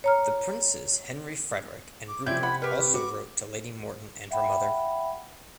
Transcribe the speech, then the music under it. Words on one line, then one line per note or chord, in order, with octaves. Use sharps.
The princes Henry Frederick and Rupert also wrote to Lady Morton and her mother.
C#5 A#5 F6
D6
C3 F3 C#4 E4 D5 G6 G#6
F#5 B5
G4 B4 C#6 F6
F#4 D6
E5 F#5 G5 B5